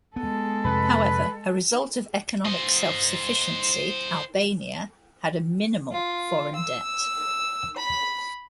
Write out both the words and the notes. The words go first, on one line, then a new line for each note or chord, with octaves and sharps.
However, a result of economic self-sufficiency, Albania had a minimal foreign debt.
G#3 B3 A4
F2 C3 B4 B5
C5 D#5
F4
E6
B5